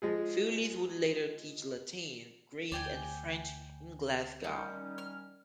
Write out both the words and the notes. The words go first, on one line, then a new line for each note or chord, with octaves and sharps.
Foulis would later teach Latin, Greek, and French in Glasgow.
F3 G#3 G#4
D2 D5 G5 G#5
D#3 G3 C#4 D#4
F6